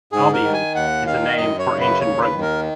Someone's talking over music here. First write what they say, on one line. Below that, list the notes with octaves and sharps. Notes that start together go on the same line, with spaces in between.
Albion is a name for Ancient Britain.
G#2 G#4
A#4
D#3
G#5
D#2 F#5
D#3 F5
F#2 D#5
C#5
C#3
B4
D#2 C#5
B4
D#3
A#4